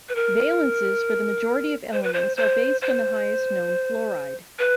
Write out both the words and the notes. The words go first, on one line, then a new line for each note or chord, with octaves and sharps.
Valences for the majority of elements are based on the highest known fluoride.
B4
A#4
C5
B4
C5
C5
C5
B4